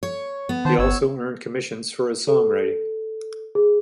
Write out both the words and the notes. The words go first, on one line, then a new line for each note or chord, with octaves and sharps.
He also earned commissions for his songwriting.
C#5
B3
D#3 C5 A5
G1 C#5 E6
A4
G#4